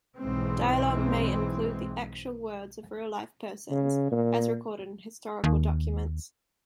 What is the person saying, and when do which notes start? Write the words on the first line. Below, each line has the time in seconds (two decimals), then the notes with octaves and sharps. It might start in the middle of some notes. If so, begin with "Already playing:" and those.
Dialogue may include the actual words of real-life persons, as recorded in historical documents.
0.19 B1 G#2 E3 G#3 C4
3.70 C#3
4.11 A#2
5.44 D#2